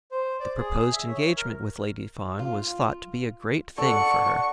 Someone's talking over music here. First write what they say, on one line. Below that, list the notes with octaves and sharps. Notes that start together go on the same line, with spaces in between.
The proposed engagement with Lady Fawn was thought to be a great thing for her.
C5
D5
G#4
E5
C#5
A#4
F4
A4 D5 F#5 C#6